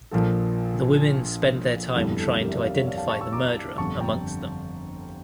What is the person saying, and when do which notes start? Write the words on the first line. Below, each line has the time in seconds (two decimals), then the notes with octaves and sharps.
The women spend their time trying to identify the murderer amongst them.
0.11 A#1 A#2 F3 A4
1.95 G1 F2 E3 G3 A4
2.18 A4
2.41 G4 A#4
2.48 E5
2.52 A#4 D5
2.64 D5 F5
2.75 C#5 E5
2.87 D5 F5
2.98 F5 A5
3.09 A5 C#6
3.21 C#6 E6
3.32 A#5 D6
3.78 G1 F2 D3 G3 A5 C#6
4.00 G5 A#5